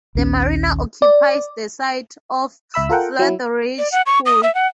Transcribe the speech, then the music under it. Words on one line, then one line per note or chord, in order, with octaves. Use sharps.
The marina occupies the site of Flatheridge pool.
A#1 D#2 C#4
D5
C#2 E5 B5 E6
F4 A4 A#4 F#5 G5
F#3 E4
D5
F#5
C#6
D#6
E5
F#5